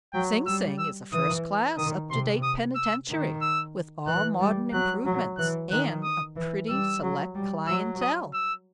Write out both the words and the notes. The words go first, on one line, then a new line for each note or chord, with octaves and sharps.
'Sing Sing is a first-class, up-to-date penitentiary, with all modern improvements, and a pretty select clientele.'
F#3 G5
G3 E6
E6
E3 D#6
D#3 D#6
C3 C6
D#6
E6
D#3
E6
E3 F#6
G3
F#3 F#6
F#3
E3 F#6
D#3 F#6
D#6
E3
G3 E6
F#3
G3
F#3 E6
D#6
E6